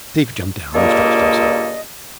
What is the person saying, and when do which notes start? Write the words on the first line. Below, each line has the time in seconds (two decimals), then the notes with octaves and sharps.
Steve jumped down and stretched himself.
0.74 C#2 G2 A#2 A#3 A4 D#5